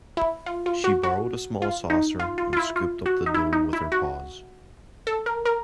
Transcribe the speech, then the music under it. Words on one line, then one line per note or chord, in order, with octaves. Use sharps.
She borrowed a small saucer, and scooped up the dough with her paws.
E4
F4
F4
F#4
F#4
F4
D#4
F4
F4
F4
E4
F4
F#4
D#4
E4
D#4
E4
F#4
A4
A#4
A#4